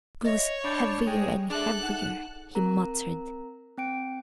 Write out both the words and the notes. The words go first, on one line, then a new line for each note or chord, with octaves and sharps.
"It grows heavier and heavier," he muttered.
C#5 D#5 E5 A#6
D4 B5 G6 A6
G#3 G5
D4 G#4 A4 E5 F#6
D#4 F#5 E7
C4 A#4 A#5
C4 G5 D7